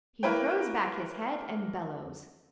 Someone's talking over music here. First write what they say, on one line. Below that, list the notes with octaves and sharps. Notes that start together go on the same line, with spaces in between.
He throws back his head and bellows.
A#3 E4 A#4 B4 C#5 G5